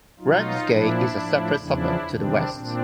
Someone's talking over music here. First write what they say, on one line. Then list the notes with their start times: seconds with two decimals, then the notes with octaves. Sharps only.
Ramsgate is a separate suburb, to the west.
0.20 B2 F#3 D#4 F4
0.67 A#2 F3 D4 E4
1.14 A2 F3
1.60 E2 C#3 F3 D4 E4
2.06 E2 C3 D#3 G3 C4 D4
2.53 A#2 C4 D4